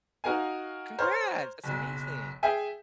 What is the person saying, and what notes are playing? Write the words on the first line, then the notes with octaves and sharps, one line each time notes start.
Congrats! That's amazing.
D#4 F#4 A#4 F5 G#5
C5 C#5 A#5 F6
F#1 B1
G#4 E5 G5 G#5